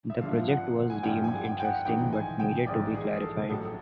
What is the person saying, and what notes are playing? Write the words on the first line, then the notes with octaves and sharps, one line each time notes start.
The project was deemed interesting but needed to be clarified.
E5
G#1 G2 D3 F3 F5
F#5
G#5
G#1 G2 D3 F3 G5
G#5
G5
G5
F#5
A#1 G#2 E3 G5
G#5
G5
A#1 G#2 E3 D5
G#4
A4
A#1 A2 F#3 A4